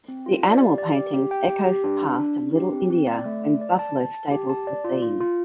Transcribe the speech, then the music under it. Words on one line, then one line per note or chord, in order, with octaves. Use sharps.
The animal paintings echoes the past of Little India when buffalo stables were seen.
C4
F4
D5
G4
D5
G4
G4
G5
G4
G4
D4
D4
D4
D4
G4
C4
C4
D5
A3
D5
D5
A5
A5
A5
G4
A5
D5
F4
F4
F4